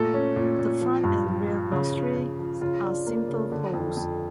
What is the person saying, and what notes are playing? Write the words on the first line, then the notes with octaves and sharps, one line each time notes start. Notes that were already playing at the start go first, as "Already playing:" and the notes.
The front and rear nostrils are simple holes.
Already playing: A#2 A3 A4
C#4
A#2
A#2
F3
G2
F3
F3
C#3
F3
C#3
F3
C#3 F4
D4
A#3
C#3
D3
F2
F2